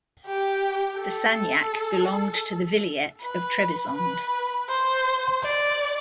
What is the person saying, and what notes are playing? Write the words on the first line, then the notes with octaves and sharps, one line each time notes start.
The sanjak belonged to the vilayet of Trebizond.
G4
A4
B4
B4
C5
D5